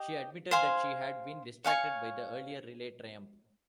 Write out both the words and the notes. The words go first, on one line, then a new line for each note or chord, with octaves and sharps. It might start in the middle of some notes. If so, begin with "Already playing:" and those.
She admitted that she had been distracted by the earlier relay triumph.
Already playing: G4 D#5
C5 F5 G#5 C6
C#5 F5 G#5 C#6